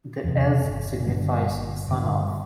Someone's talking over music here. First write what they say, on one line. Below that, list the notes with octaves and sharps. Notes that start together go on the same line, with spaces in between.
The "ez" signifies "son of".
E2 C3
G1
G2 D3 G3
G1
G2 D3 G3